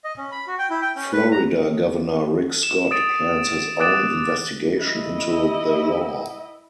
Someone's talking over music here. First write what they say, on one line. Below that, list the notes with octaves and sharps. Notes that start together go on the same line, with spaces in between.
Florida governor Rick Scott plans his own investigation into the law.
D#5
C#4
B5
F#4
G5
E4
G5
C#4
B4
A#5
E7
D#6 A6 D7
D6 D#6 F#6 A6 D7 E7
E4 D#5